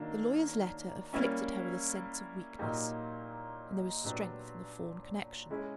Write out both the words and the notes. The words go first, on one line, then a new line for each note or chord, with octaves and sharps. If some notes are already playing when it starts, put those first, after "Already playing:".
The lawyer's letter afflicted her with a sense of weakness, and there was strength in the Fawn connexion.
Already playing: D#3 F#3 A#3 D4
G3 A#3 C#4 E4
A#2 F#3 A#3 D#4 G4
A#2 F#3 B3 D4 G4
G#3 C#4 E4 G#4